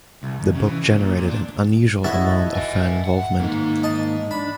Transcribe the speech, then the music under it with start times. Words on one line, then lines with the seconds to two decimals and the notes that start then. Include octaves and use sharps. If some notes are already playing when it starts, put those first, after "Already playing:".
The book generated an unusual amount of fan involvement.
0.23 C2
0.40 D#2
0.55 C#3
0.67 E3
0.84 C#3
0.98 A#2
1.16 A#2
1.28 D4
2.04 E4 F#4 A4 C#5 D#5
2.55 E5 G#5
3.04 F#5
3.40 G#2 D#3 A#3 D#4
3.83 D#5 A5
4.31 D4 B5